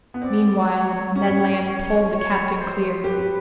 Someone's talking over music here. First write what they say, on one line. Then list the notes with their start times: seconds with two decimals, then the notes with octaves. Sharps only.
Meanwhile Ned Land pulled the captain clear.
0.14 B3
0.22 C4 D5
0.69 C#5
1.15 C#4 C#5
1.63 C#5
2.10 C#5
2.57 C5
3.04 G4 B4